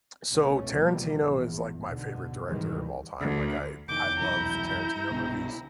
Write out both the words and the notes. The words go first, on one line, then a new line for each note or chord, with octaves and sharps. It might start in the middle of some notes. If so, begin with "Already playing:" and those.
so Tarantino is like my favorite director of all time, like I I love Tarantino movies.
C2 B2 A3 C#4
C#2 B2 E3 F3 G3 A#3
A#1 E2
G#2 B2 D3
G#2 C3 D#3 E3 G3 G#3
D2
F1 D#3 D6 G6
E1 C2 F#2 E4 A#5
C2 B2 D3